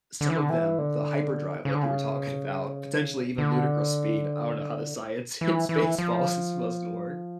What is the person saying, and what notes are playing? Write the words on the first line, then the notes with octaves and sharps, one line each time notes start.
some of them- the hyperdrive, like you were talking about- potentially even "ludicrous speed", I don't know how the science in Spaceballs is supposed to work,
D3
E3
D3
E3
D3
C#3
D3
C#3
D3
E3
E3
F3